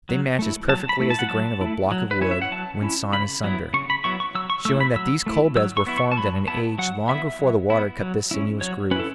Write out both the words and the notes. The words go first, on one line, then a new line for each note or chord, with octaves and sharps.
They match as perfectly as the grain of a block of wood when sawn asunder--showing that these coal beds were formed at an age long before the water cut this sinuous groove.
F#3
A3 E4
F#3 A5
B5
A3 E4
A5
F#5
F#3 A5
A3 E4
F#3
B4
C#4 E4 C#5
E5
F#5
F#3 A5
C#4 E4
C#3 B5
F#3 B3 E4
C#3 C#6
B5
F#3 B3 E4 C#6
C#6
F#3 E6
C#6
A3 E4 E6
B5
F#3 E6
A3 E4
F#3 E6
C#6
B3 E4
C#6
A5
F#3 B5
B3 E4 A5
F#3 F#5
B3 E4 E5
F#3
B3 E4
F#3
C#4 E4
F#3 C#5
C#4 E4 A4 B4